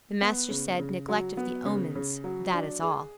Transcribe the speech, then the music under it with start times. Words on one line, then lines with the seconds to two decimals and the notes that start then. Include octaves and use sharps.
The Master said, Neglect of the omens, that is all.
0.22 B3
0.50 C#3
0.79 C#3
1.08 F#3
1.37 B3
1.65 C#3
1.95 C#3
2.24 F#3
2.53 D4
2.82 G#4